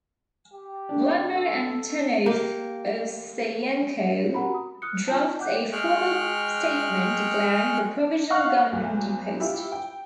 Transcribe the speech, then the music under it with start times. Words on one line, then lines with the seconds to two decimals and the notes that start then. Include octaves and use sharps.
Vladimir Antonov-Ovseyenko drafts a formal statement declaring the Provisional Government deposed.
0.54 G4
0.89 D3 D4
1.35 A4
2.26 A#3 G4
4.34 F#4 G4 A#4 F#5 A#5 B5
4.54 D#6
4.82 D#6 F6 F#6 C#7
5.08 F4 A5
5.40 F#5 G5 D6 F#6 G6
5.73 G#3 G#4 G5 C#6 F6 F#6
8.30 F5 F#5 C#6 F6 F#6
8.72 B1
9.40 E4 F4 G4
9.72 G5